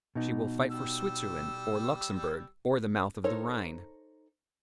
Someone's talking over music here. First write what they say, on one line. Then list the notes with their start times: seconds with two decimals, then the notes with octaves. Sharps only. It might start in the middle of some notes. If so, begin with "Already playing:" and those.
She will fight for Switzerland or Luxembourg, or the mouth of the Rhine.
0.15 B2 D#4
0.71 G3 E6
3.24 D#4 A4 A#4 C5 C#5